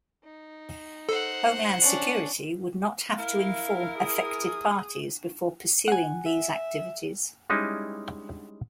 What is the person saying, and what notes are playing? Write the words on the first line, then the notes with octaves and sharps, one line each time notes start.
Homeland Security would not have to inform affected parties before pursuing these activities.
D#4
A4 C5 F#5
C#4 D4
E4 A#4 F5
G#4 D#6
F#5 G#5
E5
G3 G#3 C#4 D#4 E4